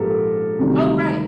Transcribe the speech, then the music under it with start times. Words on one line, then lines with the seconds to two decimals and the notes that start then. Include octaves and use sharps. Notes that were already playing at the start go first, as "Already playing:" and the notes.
Oh, right.
Already playing: A#1 G#2 F3 G#3 G4 A4 A#4
0.59 D2 C3 D#3 G3